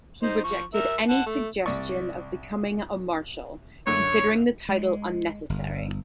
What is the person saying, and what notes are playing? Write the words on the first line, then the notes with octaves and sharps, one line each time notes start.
He rejected any suggestion of becoming a Marshal, considering the title unnecessary.
D#4 C5
F3 C#6
A#4 E5
F#5 A5
A3
C2 D5 C#6
F#2 D3 C#5
G#3
G1